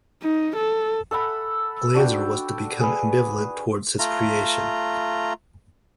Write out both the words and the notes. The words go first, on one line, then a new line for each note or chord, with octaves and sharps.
Glazer was to become ambivalent towards his creation.
D#4
A4
A4 E5 F#5 B5
D4 F#4 G5
G#4 B4
A3 F4 A#5